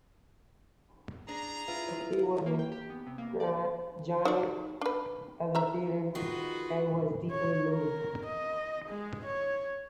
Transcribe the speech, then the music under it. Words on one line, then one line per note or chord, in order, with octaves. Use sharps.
He was a giant of the theater and was deeply mourned.
D4 G#4 A#5
E4 F4 B4
A#3
G5
G4
B3
C3
A#3
D5
D#4 C5 D5
D4 B4
C5 E5 A#5
D#3 D#4 F4 F#4 G#4 B4
C#5
A#4
D#5
G#3
C#5